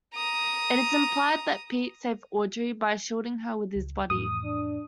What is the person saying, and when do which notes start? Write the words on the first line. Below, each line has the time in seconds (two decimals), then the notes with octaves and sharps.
It is implied that Pete saved Audrey by shielding her with his body.
0.15 A#5 D#6
3.76 C#2
4.10 F2 A2 E3 D#6
4.44 D4